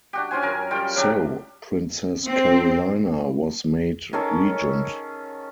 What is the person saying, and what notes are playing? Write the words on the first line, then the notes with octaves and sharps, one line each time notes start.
So, Princess Carolina was made regent.
D4 F#4 G4
C#4 F4 C5 G#5
F#2 A#4 G#5
G3 F4 G5
C#3 F#3 D4 G4
C4
D#3 C#4 G#4 A4